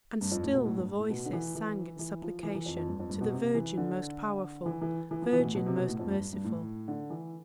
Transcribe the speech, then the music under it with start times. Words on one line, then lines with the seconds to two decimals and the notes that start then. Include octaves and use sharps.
And still the voices sang in supplication to the Virgin most powerful, Virgin most merciful.
0.21 G2
0.32 F2
0.43 A2
0.54 B2
0.65 A2
0.77 G2
0.99 A2
1.10 B2
1.25 D3
1.33 E3
1.55 E3
1.99 E3
2.22 F3
2.43 E3
2.55 E3
2.66 F2
2.77 F2
2.89 G2
3.00 F2
3.10 G2
3.21 B2
3.32 C3
3.55 E3
3.77 D3
4.66 E3
4.81 E3
5.11 E3
5.22 F3
5.33 E3
5.39 B2
5.44 A2
5.55 B2
5.66 C3
5.77 B2
5.88 A2
5.99 F2
6.11 G2
6.33 G2
6.45 A2
6.88 D3
7.10 E3